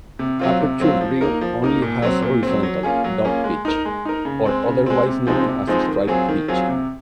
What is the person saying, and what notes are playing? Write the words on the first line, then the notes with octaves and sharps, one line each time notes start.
Aperture grille only has horizontal 'dot pitch', or otherwise known as 'stripe pitch'.
C3
F#3 C4 F4
C3
F#3 C4 F4
F3
A#3 D#4 A#4
F3
A#3 D#4 A#4
A#2
F#3 C4
A#2
F#3 C4
F#3
A#3 C#4 F4 G#4
F#3
A#3 C#4 F4 G#4
G#3
D#4 A#4
G#3
D#4 A#4
C#3
G#3 C4
C#3
G#3 C4
C3
F3 G#3 C4 D#4
C3
F3 G#3 C4 D#4
D#3
F#3 C4 F4 G#4
D#3
F#3 C4 F4 G#4
C3